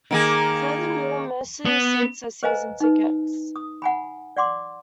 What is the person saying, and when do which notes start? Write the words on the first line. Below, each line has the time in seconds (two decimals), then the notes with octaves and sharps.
Furthermore, most of those seats are season tickets.
0.11 D#3 A#3 G#4
1.66 B3
2.43 B4 C5 D#5 F5 G#5 A#5
2.80 D#4 B4
3.56 D#6
3.82 F#5 G#5 B5
4.37 D5 F#5 C6 D6